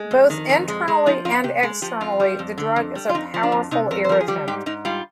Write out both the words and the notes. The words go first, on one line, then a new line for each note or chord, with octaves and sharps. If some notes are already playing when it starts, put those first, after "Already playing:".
Both internally and externally the drug is a powerful irritant.
Already playing: G#3
F2
D#3
F2
G#3
G#3
F3 D#4
F2 F4
C3 G4
G#3 G#4
F3 G4
F2 F4
G3
F2
D3
F2
G3
F4
F2 D#4
F3
D4
F2
C3 D#4
F2 A#4
C5
F3 A#4
G#4
G3 G4
G#2 G4
G#2 D#4
G3 F4